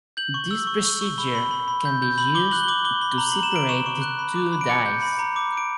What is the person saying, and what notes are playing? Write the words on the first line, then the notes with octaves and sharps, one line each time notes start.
This procedure can be used to separate the two dyes.
G6 F#7
C#6
E6
C#6
C#6
C#6
B5 G7
B5
B5
B5
G6
G6
B5 F#7
D6 G7
F#6 F#7
G7
D6 F#7
D6 G7
B5 G7
A#5 F#7
A#5 F#7
E7
A#5 D7
C#6 E7
C#6
F#6
B5
D6
B5
D7
D6 C#7
G6
B5
A#5
D6
D6
D7